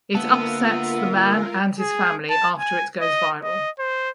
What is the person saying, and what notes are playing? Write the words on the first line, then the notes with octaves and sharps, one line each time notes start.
It upsets the man and his family after it goes viral.
D3 A#3 B3 F4 A#4 E5 A5
G#4
A5
G#5
D#5
D#5
C5